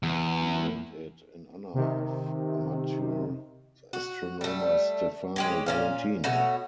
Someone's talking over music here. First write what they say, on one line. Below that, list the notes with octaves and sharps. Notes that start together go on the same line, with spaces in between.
He named it in honour of amateur astronomer Stefano Valentini.
E2
C3 D#3
F#4
G3 A3
G#3 G4 C#5
A#2 C#4 F5
B2 A3 F#4 C#5